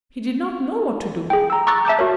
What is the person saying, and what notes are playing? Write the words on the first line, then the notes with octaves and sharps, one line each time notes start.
He did not know what to do.
G#4 G5
A#5 E6
A#5 C#6 D6 E6 F#6 A6
E5 A5 D6 G6
F#4 A#4 C#5 E5